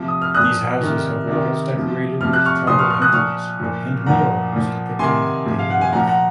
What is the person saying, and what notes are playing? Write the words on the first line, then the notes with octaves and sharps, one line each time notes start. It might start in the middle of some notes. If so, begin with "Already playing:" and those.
These houses have walls decorated with tribal paintings and murals depicting daily life.
Already playing: C3 F3
D#6
F6
A#2 F3 D#6 F#6
C3 D#3
C3 D#3
C3 F3
C3 F3 F6
F#6
C#6 F6
A#2 F3 C6 D#6
C#6 F6
C#6 F6
D#6 F#6
A#2 F3 C#6 F6
A#2 F3
A#2 F3 F#5 A#5
A#2 F3
C3 D#3 G#5 C6
C3 F3
F5
F#5
G#5
A#2 F3 F#5 A#5
F#5 A#5